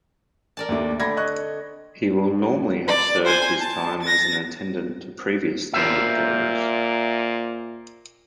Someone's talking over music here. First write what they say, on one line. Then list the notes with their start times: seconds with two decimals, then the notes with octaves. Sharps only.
He will normally have served his time as an Attendant to previous Standard Bearers.
0.57 A#4 D5 A5
0.69 D#2 A3 D4
1.00 D3 C4 B5 G#6 A#6
1.17 D#5 C#6 F#6
2.88 D5
3.26 C5 G#5
3.59 A5
4.03 A6 A#6
5.73 A#2 A#4 C5 E5